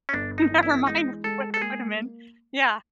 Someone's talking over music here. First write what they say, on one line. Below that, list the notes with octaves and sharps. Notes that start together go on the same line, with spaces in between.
Never mind what to put them in. Yeah.
C#4
G1 D4
D#4
E3
E4
G#3 D#4
G#3 A4
A4
A#3 G#4